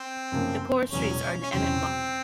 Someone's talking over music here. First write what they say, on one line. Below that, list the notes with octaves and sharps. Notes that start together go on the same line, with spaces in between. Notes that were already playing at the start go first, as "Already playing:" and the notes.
The poorest streets are in the Emmett Block.
Already playing: C4
F#2 C#3 F3 A#3
E1 E2 C#3 F#3 C#4
C#4
E1 E2 C#3 F#3 C4